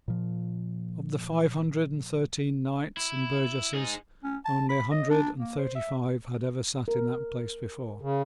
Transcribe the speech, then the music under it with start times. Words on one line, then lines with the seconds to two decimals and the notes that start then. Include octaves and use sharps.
Of the five hundred and thirteen knights and burgesses only a hundred and thirty-five had ever sate in that place before.
0.08 A#2 F3
2.97 E4
3.74 D#4 G#4
4.24 C#4
4.45 A5
4.69 B5
4.91 D#5
5.10 D4
5.38 A#3
5.59 C5
5.76 E5
6.88 A#4
8.01 C#3